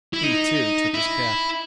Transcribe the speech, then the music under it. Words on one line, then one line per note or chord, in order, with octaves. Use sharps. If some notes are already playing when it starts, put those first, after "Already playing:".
He, too, took his cap.
E4
D#4
E4